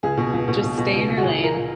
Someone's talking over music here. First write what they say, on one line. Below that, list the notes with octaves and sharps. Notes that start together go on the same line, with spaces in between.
just stay in your lane
C#2 G#4
B2
C#2
B2
B2
B2
C#2
C#2
F#4
A#2 G#4
A#2
A#4
A#2